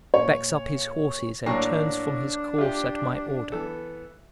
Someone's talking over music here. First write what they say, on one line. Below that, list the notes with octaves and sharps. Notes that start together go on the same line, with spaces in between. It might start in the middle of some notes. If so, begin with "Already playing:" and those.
Backs up his horses and turns from his course at my order!
A#2 C#5
A2 F#3 A#3 D4 C#5 D5 C#6
F4 G4 E5
E3 B3 A4